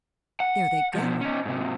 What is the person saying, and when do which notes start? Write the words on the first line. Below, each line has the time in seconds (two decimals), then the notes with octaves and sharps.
"There they go!"
0.40 F#5
0.95 B2 F3
1.21 C#4 D#4
1.45 G#2 C3